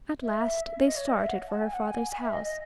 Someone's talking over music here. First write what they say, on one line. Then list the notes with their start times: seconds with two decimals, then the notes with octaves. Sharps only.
At last they started for her father's house.
0.22 E5
0.86 D#5
0.96 C#5
1.07 D#5
1.17 E5
1.28 F#5
1.49 A5
1.61 G#5
1.73 F#5
1.87 G#5
2.12 G#5
2.22 E5
2.33 D#5
2.43 D#5